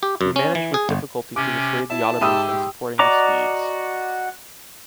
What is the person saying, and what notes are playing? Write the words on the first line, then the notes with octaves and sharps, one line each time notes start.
He managed with difficulty to dissuade the Ottomans from supporting the Swedes.
G4
F#2
C#4
E3
G#4
G1
C3 C#4 D6
E4 E5 A5
G#2 G4 E5 B5 D#6 E6 D#7
F#4 D5 D#5 A#5 D6